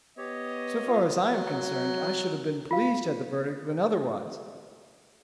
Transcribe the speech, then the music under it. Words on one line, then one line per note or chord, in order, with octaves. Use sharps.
So far as I am concerned I should have been pleased had the verdict been otherwise.
B3 G4 C#5 D#5
F4
F#3
F4 F5